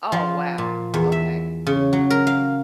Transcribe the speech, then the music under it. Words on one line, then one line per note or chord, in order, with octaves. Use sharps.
Oh, wow, okay.
F3
A#2
E2
E5
C#3
F#3
A#4
F5